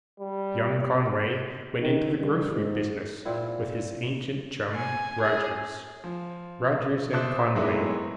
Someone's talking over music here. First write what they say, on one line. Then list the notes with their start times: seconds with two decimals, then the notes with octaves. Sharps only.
Young Conway went into the grocery business with his ancient chum, Rodgers--RODGERS & CONWAY!
0.19 G3
1.81 D#3
2.17 G2
2.54 G#2
3.25 A#2 C4 E4
4.75 G#5
5.21 G#4
6.04 F3
7.13 C5 E5 A5 D6 D#6 F#6
7.55 D#3 F#3 G#3 A3 B3 E4